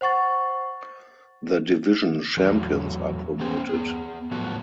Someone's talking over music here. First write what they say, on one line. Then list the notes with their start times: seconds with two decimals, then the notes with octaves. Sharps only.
The division champions are promoted.
0.01 C5 F#5 C#6 A6
2.37 E2 F#3 A3
3.40 A3 B3 C#4 C5 G5
3.69 B3 G#4
4.31 A2 F3 F#3 B3 F#4 A4